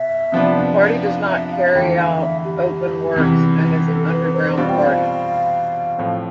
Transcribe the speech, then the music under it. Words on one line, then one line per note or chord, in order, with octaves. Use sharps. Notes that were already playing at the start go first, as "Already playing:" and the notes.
The party does not carry out open works and is an underground party.
Already playing: B2 E5
C3 F3 B3 D4
F5
E5
F5
E2 D3 A3 E4 G5
F5
E5
G4
E2 C3 E3
A4
B4
B4
C5
B2 G3 C4 F4 F5
G5
F5
A2 F3 A3 C4